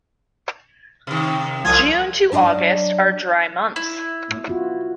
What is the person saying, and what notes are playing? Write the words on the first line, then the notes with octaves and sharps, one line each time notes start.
June to August are dry months.
C3 D#3
C2 F3 F4 D#6 G#6
F#3 D4 D5 D#5
E4
B3 F4 F#4